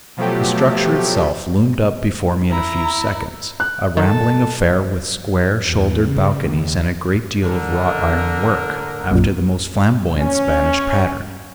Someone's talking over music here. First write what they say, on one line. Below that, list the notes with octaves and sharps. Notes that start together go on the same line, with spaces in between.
The structure itself loomed up before me in a few seconds, a rambling affair with square-shouldered balconies and a great deal of wrought-iron work, after the most flamboyant Spanish pattern.
B2 F3 F#3 A3 G4
E4 A#5
F#6
D#3 A4 A5
E2
C#3
D#2
D3 A#4
B1 F#2 A#2
C#4